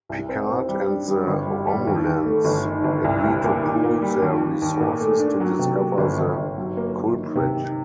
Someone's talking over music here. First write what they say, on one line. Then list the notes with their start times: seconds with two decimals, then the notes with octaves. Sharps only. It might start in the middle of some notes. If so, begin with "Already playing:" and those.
Picard and the Romulans agree to pool their resources to discover the culprit.
0.09 C2
0.29 C4
0.49 C4
0.69 G3
0.89 D4
1.08 G3
1.27 G1
1.47 G3
1.67 G3
1.87 D#2
2.06 D#2
2.25 A3
2.45 G1
2.64 D#3
2.84 G1
3.04 C2
3.24 C2
3.44 A#2
3.63 D#3
3.83 A#3
4.02 G3
4.22 D#2
4.42 D#2
4.62 D#2
4.80 A#2
5.00 A3
5.19 D4
5.40 F#3
5.59 C3
5.79 A#3
5.98 G1
6.18 G1
6.37 G1
6.58 F#3
6.77 A#3
6.96 A#3
7.17 D#3
7.36 C3
7.55 D#3